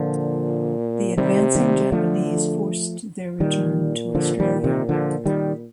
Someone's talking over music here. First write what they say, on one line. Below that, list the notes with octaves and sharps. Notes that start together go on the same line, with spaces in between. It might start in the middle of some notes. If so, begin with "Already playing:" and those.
The advancing Japanese forced their return to Australia.
Already playing: A#2 D3 F3
C3 D#3 G3
D#3 G3
D3 F3 A3
A#2 D#3 G3
D3 F3
D#3 G3
C3 D#3
D3 F3
D#3 G3